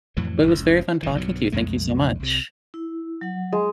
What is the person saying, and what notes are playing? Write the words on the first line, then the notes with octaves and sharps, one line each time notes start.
but it was very fun talking to you, thank you so much.
F2 A2 E3 F#3
F1 C#2
F#1 D#3 E3
B1 G2 F#3
B1 F2 G#3 A3
C2 C3
E4
F#3 F#5
G#3